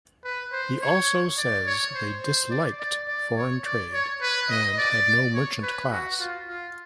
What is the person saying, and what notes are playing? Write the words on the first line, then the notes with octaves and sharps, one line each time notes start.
He also says they disliked foreign trade and had no merchant class.
B4
C5
C#5
D5
C#5
C5
C5
D5
D5
D5
C#5
D5
C#5
B4
D#5
D5
C#5
B4
F#4
F4
F4